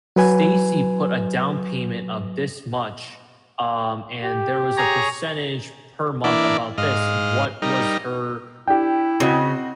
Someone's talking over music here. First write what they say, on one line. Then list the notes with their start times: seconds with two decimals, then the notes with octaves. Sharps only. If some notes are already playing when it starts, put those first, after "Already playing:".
"Stacy put a down payment of this much, um, and there was a percentage per month about this, what was her
0.16 F#3 B4 G#5
4.23 G4
4.77 G#4 C#5 A#5
6.24 E3 A#3 D4 E4 D5
6.78 G#2 D#5 F5
7.62 G3 D#4 A#4
8.68 D4 E4 G4 G5
9.20 C#3 C4 F#4 D#5